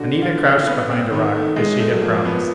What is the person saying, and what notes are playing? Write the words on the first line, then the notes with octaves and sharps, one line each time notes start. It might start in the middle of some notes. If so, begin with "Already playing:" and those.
Anita crouched behind a rock, as she had promised.
Already playing: D3 F#4
F4
C4
B3
C4
D#3 B3
A3
G#3
A3
F#3
F3 A#3
B3